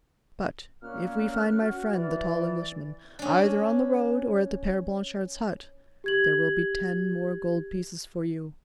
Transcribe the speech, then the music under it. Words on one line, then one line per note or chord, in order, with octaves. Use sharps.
But if we find my friend the tall Englishman, either on the road or at the Pere Blanchard's hut, there will be ten more gold pieces for you.
A#2 C#4 F6 F#6
F#4
E3 D5
C#4 D4
G4 G#6 F#7